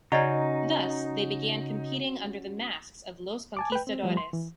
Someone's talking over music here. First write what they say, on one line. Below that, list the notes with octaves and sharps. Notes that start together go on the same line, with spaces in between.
Thus, they began competing under the masks of Los Conquistadores.
C#3 C#4 D#4 F#4 D5 D#5 A#5
G#5 A5 D6
B4 G5
C4
F3 G3 A3
C6
E3